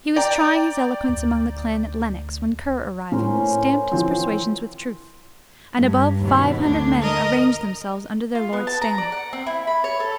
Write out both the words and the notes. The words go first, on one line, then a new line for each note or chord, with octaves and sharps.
He was trying his eloquence among the clan at Lennox, when Ker arriving, stamped his persuasions with truth; and above five hundred men arranged themselves under their lord's standard.
D5 G5 A#5
D2
A2 C#4 A#4 C5
E3 F3 C4
G2
D#2 B2
D2 D4
A#4 D#5
F4
B3
A5
A#5
D5
F#5
C4
E4
B5
C#5
A4